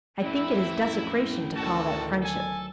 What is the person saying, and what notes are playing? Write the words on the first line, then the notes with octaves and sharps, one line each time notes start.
I think it is desecration to call that friendship.
F2 A2 E3 C#4 E4
D2 D#3 F#4 A4 A5
F#3 A4 G#5